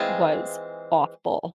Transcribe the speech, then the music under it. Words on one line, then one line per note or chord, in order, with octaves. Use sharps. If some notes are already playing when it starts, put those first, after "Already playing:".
was awful,"
Already playing: E3 G#3 C4 F4 G#4